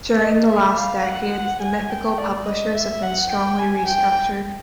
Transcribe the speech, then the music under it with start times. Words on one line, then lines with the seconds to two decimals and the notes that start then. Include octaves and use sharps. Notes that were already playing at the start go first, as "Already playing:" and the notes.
During the last decades, the mythical publishers have been strongly restructured.
0.20 D#5
0.48 E5
0.77 F5
1.04 F#5
1.61 G#5
1.89 G5
2.18 D5
2.46 D#5
2.74 E5
3.02 F#5
3.30 G5
3.59 G#5
3.87 G5